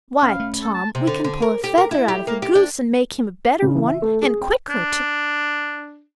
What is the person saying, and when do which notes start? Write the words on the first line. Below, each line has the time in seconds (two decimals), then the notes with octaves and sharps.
"Why, Tom, we can pull a feather out of a goose and make him a better one; and quicker, too."
0.22 C2 C#4 F5 B5
0.40 A3
0.62 A4
0.74 A5
0.95 C3
1.07 D3
1.24 D3
1.42 A#4
1.64 G4
1.78 A#4
1.91 E4
2.08 G4
2.27 A#3
2.42 G4
2.55 D4
3.62 C#3
3.75 E3
3.87 E5
4.02 A3
4.23 G#4
4.41 G5
4.70 D4